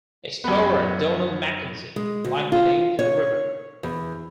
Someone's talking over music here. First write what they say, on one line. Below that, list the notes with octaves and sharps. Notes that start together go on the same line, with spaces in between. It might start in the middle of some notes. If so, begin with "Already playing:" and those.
Explorer Donald Mackenzie likely named the river.
F#2 B3
G#3
D2
F4
C#5
E2